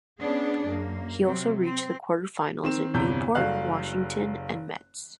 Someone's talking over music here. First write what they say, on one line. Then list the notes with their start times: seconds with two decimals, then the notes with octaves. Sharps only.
He also reached the quarterfinals in Newport, Washington and Metz.
0.19 B3 C#4 D4 G#4
0.65 F#2 A#3
1.23 C3 F#3 C4
1.59 C4
2.63 D#3 C4 E7
2.94 G1 E2 C3 G6
3.35 F#1 G3 F#4 A4 F5 F#6